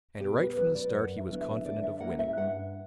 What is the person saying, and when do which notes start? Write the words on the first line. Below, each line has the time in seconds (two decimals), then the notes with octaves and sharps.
And right from the start he was confident of winning.
0.20 B2 G4
0.39 B4
0.57 F#3 C#4 B4
0.75 D5
0.93 F#2 F#5
1.18 E5
1.30 D3 F#3 B3 E4
1.41 E5
1.65 D3 D5
1.83 E5
2.00 A#3 C#4 E4 F#5
2.19 E5
2.37 G2 F#5